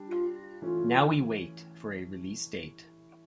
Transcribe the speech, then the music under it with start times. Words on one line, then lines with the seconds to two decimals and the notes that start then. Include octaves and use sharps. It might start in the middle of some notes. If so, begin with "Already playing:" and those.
Now we wait for a release date.
Already playing: G3 D4 G4
0.09 F4
0.62 E3 A3 C#4 F4